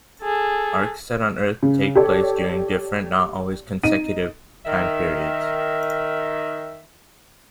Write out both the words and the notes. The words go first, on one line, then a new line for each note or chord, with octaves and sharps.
Arcs set on Earth take place during different, not always consecutive, time periods.
G#4 A4
C#3
G4 A4 C#5 D5
D#4 D#7
D#3 E5